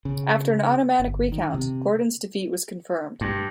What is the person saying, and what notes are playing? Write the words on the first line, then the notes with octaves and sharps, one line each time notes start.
After an automatic recount, Gordon's defeat was confirmed.
C#3
G1
D#3
C3
G2